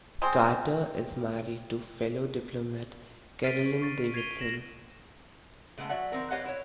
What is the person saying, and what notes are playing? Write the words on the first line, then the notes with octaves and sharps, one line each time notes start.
Carter is married to fellow diplomat Carolyn Davidson.
G#3 C4
F6 A6 B6 C7 D7 D#7
C#6
C#6 A6 D7
G#6 A6 C7 D#7 F7 G7
A#6 B6 E7 F#7
C#3 G#3 A3 B3
F#3 D5 E5 F#5
D#3 F#3 C4 A#4
G4 B4 C#5 D#5 F5 F#5
E4 C#5